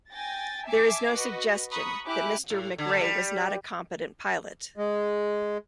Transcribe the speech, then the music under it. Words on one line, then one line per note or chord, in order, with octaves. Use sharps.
There is no suggestion that Mr McRae was not a competent pilot.
G5 G#5 A6 A#6
E5 G#5 A5 D6 C7
F#4 B4 D#5
A#5 B5 C#6 D#6 F#6
E4 G4 G#5 D6 F#6
A2
D3
G3
G#3